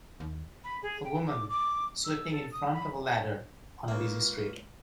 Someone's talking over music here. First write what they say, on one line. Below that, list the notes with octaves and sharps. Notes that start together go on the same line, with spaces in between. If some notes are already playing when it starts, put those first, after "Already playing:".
A woman sweeping in front of a ladder on a busy street.
D#2
B5
G#4
G5
D6
D6
E6
A4
D#6
B5
C#2 A#3